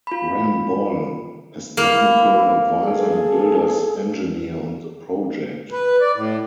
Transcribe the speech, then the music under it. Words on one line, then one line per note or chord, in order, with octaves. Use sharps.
Ramboll is technical advisor and builder's engineer on the project.
F4 B5
A#3 E4
G#4 A4
B4
D5
A2